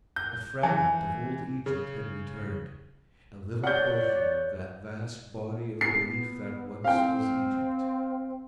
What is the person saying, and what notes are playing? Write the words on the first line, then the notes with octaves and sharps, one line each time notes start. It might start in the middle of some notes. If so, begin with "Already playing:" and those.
A fragment of old Egypt had returned--a little portion of that vast Body of Belief that once was Egypt.
G6
E3 G#5
C#3
C#5 D5 F#5 G6
B3 C7
C4 F5 G5